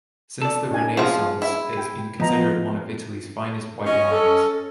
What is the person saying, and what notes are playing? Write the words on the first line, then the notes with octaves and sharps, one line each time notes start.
Since the Renaissance, it has been considered one of Italy's finest white wines.
A4 D5
C#4 D#4 G#5
F3 F4 G#4 C5 F#5
E4
G5
F3 B3 D#5 A#5
C#4 D#5
A4